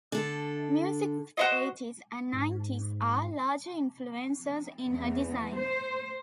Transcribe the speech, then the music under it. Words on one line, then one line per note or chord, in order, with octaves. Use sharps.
Music of the eighties and nineties are large influences in her designs.
D3 A4
F#4 C5 D#5
G#2
E2
C5